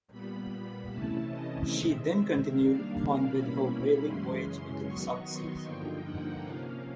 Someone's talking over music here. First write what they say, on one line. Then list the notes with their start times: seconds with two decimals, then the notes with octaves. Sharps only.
She then continued on with her whaling voyage into the South Seas.
0.11 A#2 G3 B3 B5
0.90 C3 E3 A3 C#4 E4 A5
1.29 D#5
1.69 C3 D#3 G#3 C4 E5
2.48 D#3 G3 A#3 D4 F5
3.26 B2 G3 A#3 C#4 E4 B5
4.05 F#2 C#3 E3 G#3 C#4 C6
4.84 D#3 F#3 B3 D#4 C#6
5.24 C6
5.63 G2 D3 F3 A#3 D#4 G5
6.03 F#5
6.42 C3 F3 A#3 C#4 F5